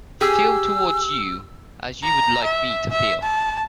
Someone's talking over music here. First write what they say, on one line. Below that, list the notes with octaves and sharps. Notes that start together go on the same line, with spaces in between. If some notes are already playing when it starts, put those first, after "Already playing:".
Feel towards you as you would like me to feel.
G4 G#4 E6
A#5
E5
E5
A5